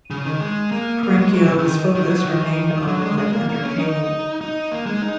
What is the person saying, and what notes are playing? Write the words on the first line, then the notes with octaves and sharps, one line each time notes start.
Perenchio's focus remained on live entertainment.
C#3
D#3
G#3
A#3
A#3
G#3
F#3
D#3
C#3
C#3
D#3
D#3
F#3
D#3
F#3
G#3
G#3
A#3
A#3
C#4
D#4
D#4
A#3
G#3
D#4